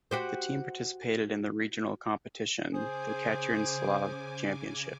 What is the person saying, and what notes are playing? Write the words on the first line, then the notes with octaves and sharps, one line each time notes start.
The team participated in the regional competition, the Katerynoslav championship.
F#4 G4 C5
C#3 G#4 C5 G#5 D6